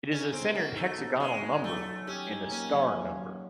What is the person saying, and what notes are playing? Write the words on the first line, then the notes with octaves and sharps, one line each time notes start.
It is a centered hexagonal number and a star number.
C#4 D#4
B3 C4
A#3 F#4
A3 D#4
B3
G#3 F#4
D#4
F#3 A3
F#3
C#4 G4
D#4
A#3 C#4
F#3
F#3
F#3